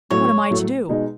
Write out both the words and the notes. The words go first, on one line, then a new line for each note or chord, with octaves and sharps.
"What am I to do?"
A2 F#3 A3 C#5
A2 F#3 A3
B2 G#3 D#4